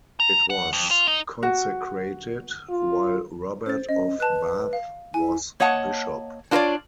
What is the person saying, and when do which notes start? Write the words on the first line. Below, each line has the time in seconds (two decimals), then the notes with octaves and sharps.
It was consecrated while Robert of Bath was bishop.
0.20 A#5
0.50 F#5
0.73 F2
0.91 F4
1.07 D#4
1.43 F#4
2.69 F4
3.66 C#4 C5 A6
3.89 C#4 D#5
4.20 B4 A5 F#6
4.73 F5
5.14 E4 G#5
5.60 A#3 C#5 D#5 F#5 A5
6.51 D4 F4 A4 A#4 C#5 D5